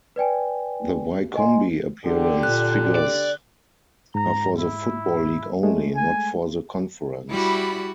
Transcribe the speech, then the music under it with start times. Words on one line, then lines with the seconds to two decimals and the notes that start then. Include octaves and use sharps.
The Wycombe appearance figures are for the Football League only, not for the Conference.
0.16 B4 D5 G5 G#5
1.36 D#5 G#5 C6
2.05 D3 D4 G4
2.43 A#2 F#6
2.96 D5
4.15 G#2 A#5
4.58 E4
5.63 G#3 A3
5.96 G#5
7.29 G3 E4 F#4 D5 B5